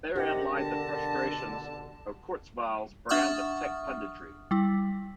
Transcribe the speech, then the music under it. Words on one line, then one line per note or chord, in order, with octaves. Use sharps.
Therein lie the frustrations of Kurzweil's brand of tech punditry.
C3 D4 G4 A#4 D#5 F#5 A#6
B2 D3 A5
D4 E5 F#5 C#6 D#6 F6
G3 E4